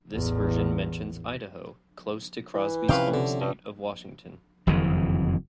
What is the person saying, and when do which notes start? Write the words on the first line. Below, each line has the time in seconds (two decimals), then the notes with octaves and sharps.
This version mentions Idaho, close to Crosby's home state of Washington.
0.13 A1 E2
2.54 E3
2.89 C3 F3 C#4 B4 F5 G5
3.14 D3
3.41 G2
4.67 F#1 F2 D#3 E3